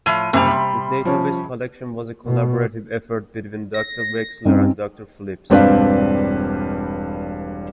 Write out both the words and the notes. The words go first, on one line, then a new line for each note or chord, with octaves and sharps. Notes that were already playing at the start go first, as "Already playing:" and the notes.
The database collection was a collaborative effort between Doctor Wechsler and Doctor Phillips.
A2 F3 D#7
F#1 C3 G3 G#5
B5 C6
F3 C#4
B2
A#6
G2 C4 C#4 D#4
E1 G2 C4 D4 B4 F5